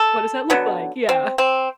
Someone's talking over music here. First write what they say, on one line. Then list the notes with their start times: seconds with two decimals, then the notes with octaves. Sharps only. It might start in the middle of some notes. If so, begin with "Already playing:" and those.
What does that look like? Yeah.
Already playing: A4
0.50 D3 F#3 B3
1.09 C4
1.38 C4